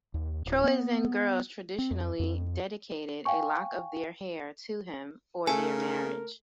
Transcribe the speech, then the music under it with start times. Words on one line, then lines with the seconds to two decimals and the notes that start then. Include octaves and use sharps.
Troezen girls traditionally dedicated a lock of their hair to him before their marriage.
0.14 D#2
0.46 D1
0.64 B3
1.79 C4
1.91 F2
2.19 F2
3.25 F5 G5 G#5 C#6
5.47 C#3 A3 A#4 G#5